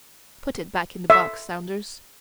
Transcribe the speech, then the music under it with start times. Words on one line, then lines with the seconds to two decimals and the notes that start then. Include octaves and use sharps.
Put it back in the box, Saunders.
1.10 E5